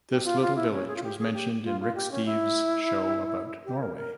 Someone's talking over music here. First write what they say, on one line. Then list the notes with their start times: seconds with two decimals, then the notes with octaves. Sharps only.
This little village was mentioned in Rick Steves' show about Norway.
0.10 G4
0.25 F4
0.41 F4
0.56 E4
0.71 C#4
0.87 G#4
0.96 F4
1.03 G4
1.18 G#4
1.33 G4
1.64 F4
1.80 F4
1.95 G4
2.11 C#4
2.26 E4
3.65 G4
3.80 A#4
3.97 A#4